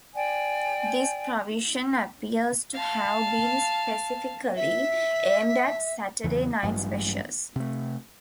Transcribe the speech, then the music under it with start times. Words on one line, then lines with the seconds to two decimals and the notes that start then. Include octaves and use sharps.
This provision appears to have been specifically aimed at "Saturday night specials".
0.15 D5 G5 G#5
2.73 F5 A5
4.56 E5
6.24 E2 C#3 E3 F#3
6.63 A1 G2 F#3 G#3
7.56 C3 A3